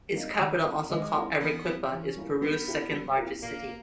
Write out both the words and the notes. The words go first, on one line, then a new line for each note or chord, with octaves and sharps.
Its capital, also called Arequipa, is Peru's second-largest city.
G3 A#3 D#4
D#3 G3
A#3 C#4 E4 A#4
D#3 G#3
A#3 C#4 E4 A#4
E3 B3
G3 A#3 E4 A#4
E3 C#4
G3 A#3 E4 A#4
G3 B3
A#3 E4 G4 A#4
G3
A#3 E4 G4 A#4
A#2 A#3